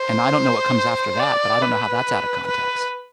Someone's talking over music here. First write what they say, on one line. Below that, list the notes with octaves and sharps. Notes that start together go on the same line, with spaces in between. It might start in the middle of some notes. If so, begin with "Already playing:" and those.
and I don't know what comes after that, but I don't know how that's out of context,
Already playing: C5
D5
B4
B4